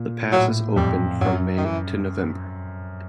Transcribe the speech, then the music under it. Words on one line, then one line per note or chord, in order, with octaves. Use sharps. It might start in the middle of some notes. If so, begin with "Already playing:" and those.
The pass is open from May to November.
Already playing: A#2
A2 F#3
F2 G3
F#2 F#3
D#3
E3